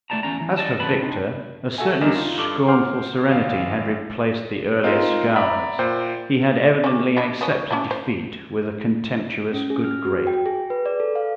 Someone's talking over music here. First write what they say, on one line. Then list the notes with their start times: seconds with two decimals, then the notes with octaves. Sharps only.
As for Victor, a certain scornful serenity had replaced the earlier scowls; he had evidently accepted defeat with a contemptuous good grace.
0.10 A2 A3 E4 D5 A5 A#5
0.23 E2 C#4 A#5
0.41 E3
0.57 D5 D#5 A5
0.80 E2 C3 B4 A5 B5
1.02 C4 D4 D#4
1.78 F#4 A4 E5 G#5
2.01 E2 G3 A#4 D#5 E7
2.15 D#4 F4
2.38 G2 A4 D6
2.67 C5 F#5 C6 D6 F6
3.28 G#1 F5
4.84 G#3 C4 D#4 F4 A#4
5.36 D5 E5 A#5 B5
5.79 A#2 C5 G5
6.84 G3 C#4
7.17 D4 E4
7.41 B3 C#4
7.71 C#4 D4 E4
7.91 C5
9.53 C#4
9.70 G#4
9.85 F6
10.05 F#4
10.27 G5
10.46 G#4
10.70 B4
10.86 D5
11.00 A4
11.15 F5